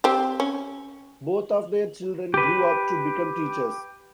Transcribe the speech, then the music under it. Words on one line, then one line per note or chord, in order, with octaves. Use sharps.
Both of their children grew up to become teachers.
C4 G4
C#4
G4 B4